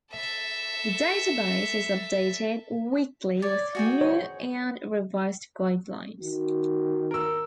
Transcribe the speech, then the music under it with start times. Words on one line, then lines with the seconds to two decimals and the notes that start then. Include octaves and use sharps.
The database is updated weekly with new and revised guidelines.
0.12 A4 E5
3.42 C#5 D5
3.75 F#4 G#4 G5
4.01 C#5
6.21 D#3 F#4
7.11 A#4 E6